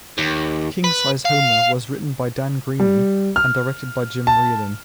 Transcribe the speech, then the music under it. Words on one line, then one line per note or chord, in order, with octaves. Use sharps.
"King-Size Homer" was written by Dan Greaney, and directed by Jim Reardon.
D#2
B4
F5
G3
F6
A5